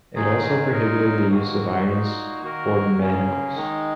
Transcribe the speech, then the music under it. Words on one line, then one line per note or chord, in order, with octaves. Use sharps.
It also prohibited the use of irons or manacles.
G#2 D#3 F#3 D#4 G#4
A#2 F#3 D#4 A#4
G#2 D#3 A#3 F#4
A#2 A#3 D#4 F#4
D#3 A#3 F#4 A#4
C#3 A#3 C#4
D#3 G#3 D#4